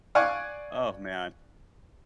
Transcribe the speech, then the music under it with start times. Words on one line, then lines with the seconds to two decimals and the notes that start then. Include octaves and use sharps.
Oh, man.
0.15 D5 F5 F#5 G#5 C#6